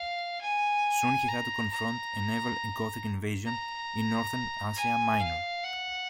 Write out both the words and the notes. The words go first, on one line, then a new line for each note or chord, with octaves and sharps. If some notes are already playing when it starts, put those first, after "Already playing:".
Soon he had to confront a naval Gothic invasion in northern Asia Minor.
Already playing: F5
G#5
A#5
A#5
A#5
G#5
F5
F#5